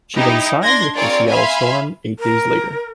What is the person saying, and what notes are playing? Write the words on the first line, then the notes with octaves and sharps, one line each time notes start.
She then signed with the Seattle Storm eight days later.
D#4 E4 G4
D4 C6 G#6 A#6
C4 F4 G#4 A#4 C#5 D5
E5 F5 G#5 B5 C6
A#4